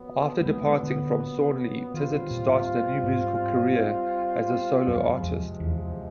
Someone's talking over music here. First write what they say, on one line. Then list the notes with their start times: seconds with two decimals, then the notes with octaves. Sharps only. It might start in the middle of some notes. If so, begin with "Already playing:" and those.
After departing from Thornley, Tizzard started a new musical career as a solo artist.
Already playing: A#2 F#3 B3
0.41 A3
0.46 G#3
0.83 D3
1.93 D#3 G3 C4 F4
2.11 D#3
2.30 A#2
2.48 A2
3.03 G#2
4.87 F#2 C3 F3 G#3
5.23 F2
5.60 E2